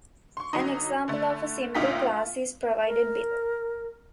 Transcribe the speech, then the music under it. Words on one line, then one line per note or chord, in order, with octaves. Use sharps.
An example of a simple class is provided below.
C6 C#6
G1 F#3 D#4
D3 A3
D2 A#2 D3 D#4 G5 B6
F4
A#4